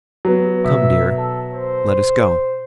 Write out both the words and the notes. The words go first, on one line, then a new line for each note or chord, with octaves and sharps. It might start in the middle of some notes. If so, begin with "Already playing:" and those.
'Come, dear, let us go.'
F#3 B3
B2 E5
A4
C5